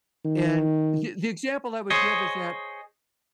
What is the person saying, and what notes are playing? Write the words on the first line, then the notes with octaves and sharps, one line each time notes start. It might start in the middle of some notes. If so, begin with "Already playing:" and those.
And the the example I would give is that
D#3
G#4 C5 C#5 D#5